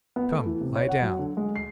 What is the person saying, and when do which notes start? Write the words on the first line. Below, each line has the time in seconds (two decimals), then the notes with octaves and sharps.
"Come, lie down."
0.16 B3
0.31 A3
0.46 E3
0.61 C3
0.76 C#5
0.89 F#5
1.02 F#3
1.19 D3
1.37 G#3
1.56 C7